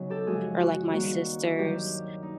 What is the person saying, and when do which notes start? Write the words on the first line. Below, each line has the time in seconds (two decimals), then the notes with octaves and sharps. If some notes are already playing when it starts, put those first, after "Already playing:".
or, like, my sisters
Already playing: C#3 F#3 B3 D#4
0.10 G4 A4
0.26 F#2 C#3 F3 G#3 F#4 G#4
0.60 F#4
0.92 D#2 D#3 G3 C4 F#4
1.59 G2 D#3 F#3 G4
2.22 D#4